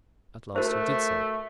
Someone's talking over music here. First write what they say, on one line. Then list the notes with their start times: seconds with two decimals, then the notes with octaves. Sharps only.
At last he did so.
0.56 A3 F#4 A#4 C5